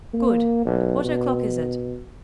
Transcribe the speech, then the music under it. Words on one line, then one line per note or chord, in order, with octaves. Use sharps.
"Good; what o'clock is it?"
A#3
B1
B2